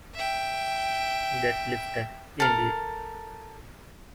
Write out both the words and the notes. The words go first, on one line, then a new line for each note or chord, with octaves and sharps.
"Get Lifted" indeed.
E5 G5
A4 A#4